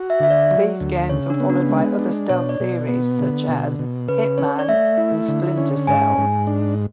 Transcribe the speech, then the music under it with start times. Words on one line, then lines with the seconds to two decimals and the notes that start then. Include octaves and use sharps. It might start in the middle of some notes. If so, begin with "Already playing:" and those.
These games were followed by other stealth series, such as "Hitman" and "Splinter Cell".
Already playing: F#4
0.10 E5
0.20 D3 E5
0.30 D5
0.51 F#3
0.80 D2
1.09 C#3 C#5
1.30 D4
1.40 B3
1.50 D4
1.69 G#3
1.99 D4
2.29 B2 C#5
2.49 D5
2.60 B2
2.88 B3
3.19 D3
3.48 B2
3.79 B2
4.08 C#3 B4
4.38 C#4 C#5
4.59 D5
4.68 A3 E5
4.98 E4
5.28 D3
5.58 C#4
5.87 G#2 G#5
6.18 G#2
6.47 D4